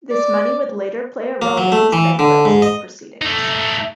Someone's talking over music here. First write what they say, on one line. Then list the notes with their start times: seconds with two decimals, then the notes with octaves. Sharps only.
This money would later play a role in his bankruptcy proceedings.
0.12 D5
1.42 A#3
1.58 F#3
1.72 A3
1.93 E3
2.19 D3
2.45 G#2
2.62 D#5
3.22 A3 D#4